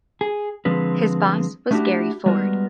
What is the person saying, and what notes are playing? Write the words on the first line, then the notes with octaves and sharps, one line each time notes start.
His boss was Gary Ford.
G#4
D3 F3 G#3 C4 B4
A3 B3 D4 E4 F#4 G4
G3 G#3 B3 F#4 A#4